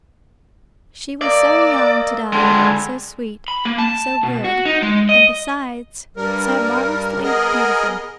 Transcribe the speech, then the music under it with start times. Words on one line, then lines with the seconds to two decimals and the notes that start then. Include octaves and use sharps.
She was so young to die, so sweet, so good, and besides so marvelously beautiful!
1.21 A#3 D5 D#5 E6
2.33 D3 G3 G#3 A4 G#5
3.48 B5
3.65 A#3
3.78 A5
4.23 B2
4.44 F#4
4.65 D#4
4.82 G#3
5.09 D#5
6.17 G2 G3 A#4
7.23 B3 G#4 A#4 D#5